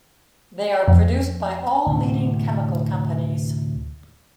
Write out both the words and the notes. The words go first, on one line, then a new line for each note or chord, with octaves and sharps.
They are produced by all leading chemical companies.
F2
D2 A2 C3